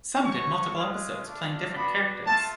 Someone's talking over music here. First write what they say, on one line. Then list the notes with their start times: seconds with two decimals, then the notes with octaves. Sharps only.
Some did multiple episodes playing different characters.
0.23 A3 C#4 F#4 C#6
0.73 G#3 C#4 F4
1.23 A3 D4 F4
1.74 B3 D4 F#4 B5
2.25 A3 F4 A5